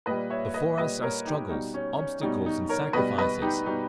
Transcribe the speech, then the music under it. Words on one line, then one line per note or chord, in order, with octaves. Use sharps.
Before us are struggles, obstacles and sacrifices.
A#2 G3 B4 D#5
C#5 E5
B4 D#5
A#2 G3 B4 D#5
A#4 C#5
D#4 G4
B2 G3 D#4
C#4
C#4
B2 G3 D#4
D#4
A#4 C#5
B2 G3 B4 D#5
B4 D#5
D#4 G4
B2 G3 D#4